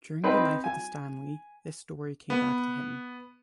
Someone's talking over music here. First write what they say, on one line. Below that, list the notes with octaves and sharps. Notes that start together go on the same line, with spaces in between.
During the night at the Stanley, this story came back to him.
C4 D#4 B4
G#5
B3